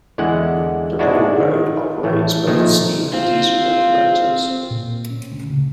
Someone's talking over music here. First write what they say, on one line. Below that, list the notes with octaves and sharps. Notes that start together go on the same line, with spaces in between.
The railroad operates both steam and diesel locomotives.
E2 D3 G#3 E4 F#5
G#2 G#3 D4 E4 F#4
D#3
A1 A2 A3
A#2 D#3 F3 A3 A#3
C4 F4
A#2
C#4
D2
C#3